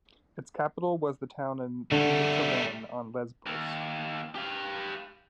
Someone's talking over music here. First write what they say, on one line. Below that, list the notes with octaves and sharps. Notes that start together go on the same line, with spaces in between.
Its capital was the town of Mytilene, on Lesbos.
D3 G3 A3
D#2
G4 F5